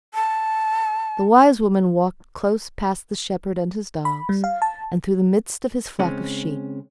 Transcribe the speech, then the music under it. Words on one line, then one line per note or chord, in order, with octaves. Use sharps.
The wise woman walked close past the shepherd and his dogs, and through the midst of his flock of sheep.
A5
B5
G3
F5
A5
C#3 G#3 C4 C#4